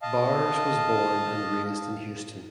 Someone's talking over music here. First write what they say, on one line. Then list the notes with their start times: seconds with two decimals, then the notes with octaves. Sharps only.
Bowers was born and raised in Houston.
0.02 D#5 F5 A5